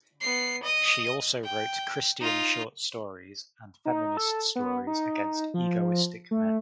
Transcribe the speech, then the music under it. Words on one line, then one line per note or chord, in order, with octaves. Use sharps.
She also wrote Christian short stories and feminist stories against egoistic men.
B3 C7
D#5 D#6
G5
D#4 F4
D#4
A4
B3
D#4
F3
A3